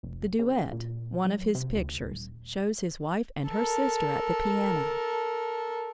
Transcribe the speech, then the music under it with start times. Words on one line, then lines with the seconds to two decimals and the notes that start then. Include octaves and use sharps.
"The Duet", one of his pictures, shows his wife and her sister at the piano.
0.03 F1
0.39 C#3
0.73 A#2
1.25 F#3
1.55 C3
1.75 D2
2.11 D#1
3.48 A4 A#4